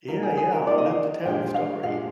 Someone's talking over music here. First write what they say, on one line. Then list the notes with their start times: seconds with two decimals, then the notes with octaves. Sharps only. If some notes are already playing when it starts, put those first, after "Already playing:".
Yeah, yeah. I lived to tell the story
0.08 F3 A#3 D#4 A#4
0.23 G#4
0.37 G#4
0.52 A#4
0.66 F3 A#3 D#4 D5
0.78 D#5
0.86 F5
1.25 A#2 F3 G#3 D4 G4 G5
1.54 F5
1.83 A#2 F3 G#3 D4 G4 F5